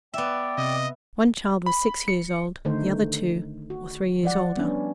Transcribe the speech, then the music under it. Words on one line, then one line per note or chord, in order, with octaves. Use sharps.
One child was six years old, the other two or three years older.
B3 D5 E5 G5 D6
C3 D#5
B5
C#7
D3 D#3 A3 D#4 C5
F#4
F3 D5 F#5
G3 B3 C#4 D4